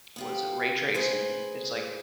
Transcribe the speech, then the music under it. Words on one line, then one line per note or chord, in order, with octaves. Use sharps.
was it ray tracing? It's like
B3 F4 G4
G#4 B4 C5